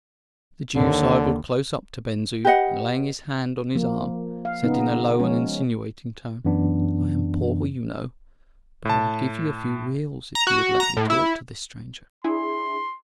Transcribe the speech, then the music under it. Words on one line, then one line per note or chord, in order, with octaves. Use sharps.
The Jew sidled close up to Ben Zoof, and laying his hand on his arm, said in a low and insinuating tone, "I am poor, you know; but I would give you a few reals if you would let me talk to this stranger."
D#2 D3
G4 B4 D#5 F#5
F3 A#3
F5
C#3 B3 D#4
F3 G#3 C#4
F#2 E3 B3 D4
A2 A5
A#5
F#4
A#5
A2
E4
D4 E4 G#4 C6